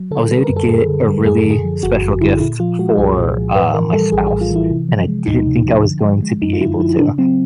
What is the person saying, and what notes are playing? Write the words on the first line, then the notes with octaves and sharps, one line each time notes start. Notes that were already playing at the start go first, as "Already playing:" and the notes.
I was able to get a really special gift for, uh, my spouse, and I didn't think I was going to be able to.
Already playing: F#3
D3 A4
G3 B4
A#4
F#2
A4
F#2 G#4
D3
G3
F#2 G#4
A4
D3
G#4
F3
G1 F#4
F#2
D3 E4
A#2 E4
F3 F4
G#3 F#4
C2 G#4
A#2
F3
A2 B4
E3 A#4
G3 A4
A#1 G#4
G#4
A2
F4
E3 E4
C3
F3
G#3
D2 D#4
C3
F3
D3
F3
G#3
F#2 D#4
F4
D3 E4
F3 E4
C#3 D4
F#3 C4